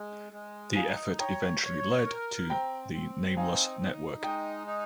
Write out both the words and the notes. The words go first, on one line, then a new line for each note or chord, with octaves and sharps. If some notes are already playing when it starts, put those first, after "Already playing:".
The effort eventually led to the Nameless Network.
Already playing: G#3
G#3
D#4 F5 G#5
C#5 G5 A#5
C#5
A#4
C4 G5 A#5
C4
D#4 F5 G#5
D#4
G#3 D#5 G5
D#4